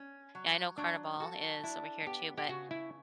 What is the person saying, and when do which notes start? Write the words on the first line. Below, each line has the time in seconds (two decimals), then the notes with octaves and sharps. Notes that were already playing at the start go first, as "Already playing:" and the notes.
yeah, I know Carnival is over here too, but,
Already playing: C#4
0.35 F#3
0.78 F#3 D4
1.20 F#4 A4
1.63 D4 E4
2.06 B3 G4
2.38 G4
2.49 C#3 F#4
2.71 E4